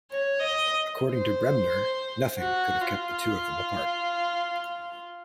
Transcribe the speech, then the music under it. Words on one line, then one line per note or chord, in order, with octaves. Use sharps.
According to Bremner, Nothing could have kept the two of them apart.
C#5
D#5
C5
F#4
F4